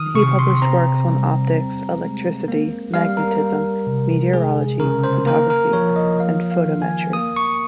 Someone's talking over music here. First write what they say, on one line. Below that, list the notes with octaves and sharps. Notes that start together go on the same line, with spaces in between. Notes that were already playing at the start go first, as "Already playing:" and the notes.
He published works on optics, electricity, magnetism, meteorology, photography and photometry.
Already playing: D#3 D#6 F6
C3 C#6
C6
C4 A#5
G3
C4
G#3
A#3
G3 F5
A#4
G3
C3
G#3 G#4
C#3 A#4
C5
A#3 A#4
A#4
F3 C#5
D#5
A#3 F5
F5
D#3
G#5
A#3 D#6
C#6